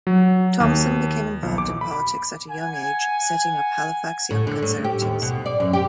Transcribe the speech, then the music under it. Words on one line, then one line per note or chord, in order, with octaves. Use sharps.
Thompson became involved in politics at a young age, setting up Halifax Young Conservatives.
F#3
D#2
B1
D6
B5
F#5 G#5
A2
D3
A2
G4
D#2
B2
D5
F#2
G4